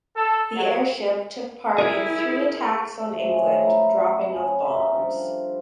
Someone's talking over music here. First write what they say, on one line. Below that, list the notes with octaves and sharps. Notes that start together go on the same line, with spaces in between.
The airship took part in three attacks on England dropping of bombs.
A4
F#3
E4 G#4 A#4
F3 A3
C#3 G#3 A3
E4 A#4 A#5
C#4
A#4 D#5 E5 G5
D3 F3 G3